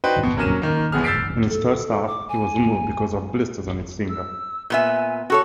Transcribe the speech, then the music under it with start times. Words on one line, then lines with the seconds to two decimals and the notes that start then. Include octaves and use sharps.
In his third start, he was removed because of blisters on his finger.
0.04 D4 D#4 F#4 B4 C5 G5
0.23 B2
0.37 F#3 A#3 C#4 F6 D#7 E7
0.62 D#3 A#3
0.92 G1 E2 B2 B3 G#4 F6
1.04 E6 G6 A6 B6 C7 D7
1.50 A4
2.08 D6
2.29 G#5
4.09 E6
4.70 A#2 B3 E5 G#5
5.30 F#4 A4 C#5 C#6